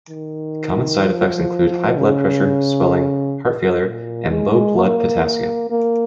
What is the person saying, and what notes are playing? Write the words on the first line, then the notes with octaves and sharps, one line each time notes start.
Common side effects include high blood pressure, swelling, heart failure, and low blood potassium.
D#3
F3
C#3
A#2
G#3
A#3
A#3
A#3